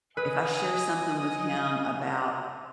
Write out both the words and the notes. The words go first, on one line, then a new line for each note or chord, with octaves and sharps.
if I share something with him about
B4 D#5 G#5 D#6